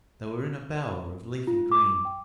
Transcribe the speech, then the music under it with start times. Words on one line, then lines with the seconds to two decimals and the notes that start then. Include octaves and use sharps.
They were in a bower of leafy green.
1.47 F4
1.72 D6
2.05 G5